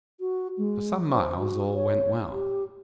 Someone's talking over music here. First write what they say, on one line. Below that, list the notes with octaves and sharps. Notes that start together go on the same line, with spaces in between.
For some miles all went well.
F#4
G#3
C5
F#4
C#5
G4